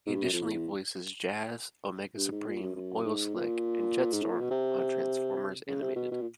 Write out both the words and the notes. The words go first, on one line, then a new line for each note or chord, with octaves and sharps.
He additionally voices Jazz, Omega Supreme, Oil Slick, and Jetstorm on "Transformers Animated".
G#2
G2
F#2
F2
E2
G2
G#2
A#2
F#2
F#2
G#2
A#2
G#2
A2
A#2
B2
C3
C#3
C3
B2
B2
A#2